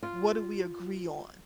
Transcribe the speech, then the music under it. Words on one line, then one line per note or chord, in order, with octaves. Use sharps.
What do we agree on."
F4